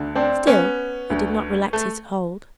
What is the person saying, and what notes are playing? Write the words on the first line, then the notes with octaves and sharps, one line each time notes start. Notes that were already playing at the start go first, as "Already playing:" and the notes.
Still he did not relax his hold.
Already playing: D2 D3
C4 D4
B3 C#4
D2 D3
A3